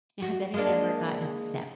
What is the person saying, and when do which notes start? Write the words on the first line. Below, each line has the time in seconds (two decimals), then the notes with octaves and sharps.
Now, has anyone ever gotten upset
0.22 F#4
0.54 G#3 A#3 D4